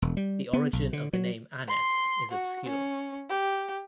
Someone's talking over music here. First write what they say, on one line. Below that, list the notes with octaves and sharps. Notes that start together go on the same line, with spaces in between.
The origin of the name Aneth is obscure.
E1
G3
B3
B1
D3
F#3
C6
F#4
C#4
G4